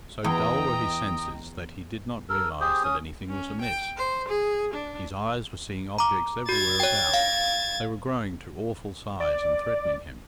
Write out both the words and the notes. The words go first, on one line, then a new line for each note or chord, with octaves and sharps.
So dull were his senses that he did not realise that anything was amiss. His eyes were seeing objects everywhere about--they were growing to awful size and threatening him.
E2 D#5 G5 A#5 D#6
A4 A#4
G4 G#4 C5
C#4 D#6
C#4
G5
C5
G#4
D4
A#5 D6
F#4 G#6 A6
C#5 G5
F5
D5